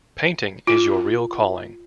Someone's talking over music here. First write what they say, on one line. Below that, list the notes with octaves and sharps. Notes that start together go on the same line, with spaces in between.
Painting is your real calling.
F4